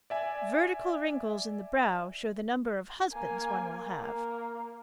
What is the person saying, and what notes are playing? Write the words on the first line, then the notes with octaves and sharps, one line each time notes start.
Vertical wrinkles in the brow show the number of husbands one will have.
D5 E5 G#5
A#3 G#5
A#3